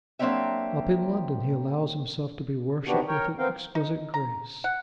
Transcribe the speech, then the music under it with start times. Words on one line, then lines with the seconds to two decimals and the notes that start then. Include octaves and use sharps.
Up in London he allows himself to be worshipped with an exquisite grace.
0.19 F#3 A#3 C4 D4 G4 E5
2.87 C3 D#3 B3 D4 F#4 G4
3.08 A#4 C#5 G5
3.38 B3 C4 A#4 F5 G5
3.75 D#4
4.14 A#5
4.64 F#5